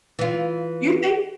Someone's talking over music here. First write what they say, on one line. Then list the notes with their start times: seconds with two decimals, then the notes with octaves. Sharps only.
Do you think
0.19 E3 F4